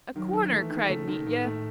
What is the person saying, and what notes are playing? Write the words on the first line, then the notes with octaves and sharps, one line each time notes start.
"A corner!" cried Mitya.
D#3 F#3
D#3
E3 A3
D#3
C#3 A3
D#3
A2 D#3
A3